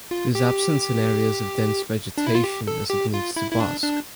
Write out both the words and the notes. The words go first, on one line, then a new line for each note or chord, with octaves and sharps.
It is absent in areas of dense vegetation as it needs to bask.
F4
G4
D4
E4
F4
G4
A4
G4
F4
E4
E4
D4
D4